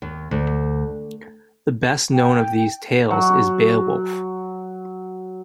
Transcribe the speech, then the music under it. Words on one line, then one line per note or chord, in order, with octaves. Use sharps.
The best known of these tales is "Beowulf".
D#2
D2
G5
F#3 F#5